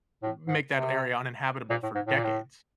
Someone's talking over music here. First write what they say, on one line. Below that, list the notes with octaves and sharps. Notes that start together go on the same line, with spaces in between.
make that area uninhabitable for decades.
A2
G#2
C3
A#2
A2
G#2
A2
A#2
A2